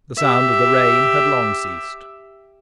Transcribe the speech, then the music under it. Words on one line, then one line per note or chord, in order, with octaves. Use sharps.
The sound of the rain had long ceased.
G4 E5